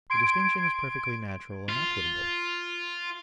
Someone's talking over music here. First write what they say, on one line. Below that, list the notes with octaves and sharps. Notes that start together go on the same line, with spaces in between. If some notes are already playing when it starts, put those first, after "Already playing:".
The distinction is perfectly natural and equitable.
C6 G#6 D7
F4